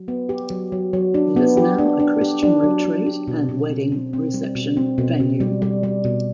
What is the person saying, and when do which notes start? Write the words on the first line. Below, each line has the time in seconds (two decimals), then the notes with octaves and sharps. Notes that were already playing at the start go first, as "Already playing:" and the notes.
It is now a Christian retreat and wedding reception venue.
Already playing: F#3
0.08 B3
0.29 G4
0.50 F#3
0.72 F#3
0.93 F#3
1.14 D4
1.36 B3
1.57 G4
1.78 D4
2.00 D4
2.21 G4
2.43 D4
2.64 F#3
2.84 D4
3.07 G4
3.27 B2
3.49 B2
3.70 C4
3.92 C4
4.13 C4
4.34 G3
4.55 B2
4.77 C4
4.98 B2
5.20 B2
5.40 G3
5.62 G3
5.83 G3
6.05 B2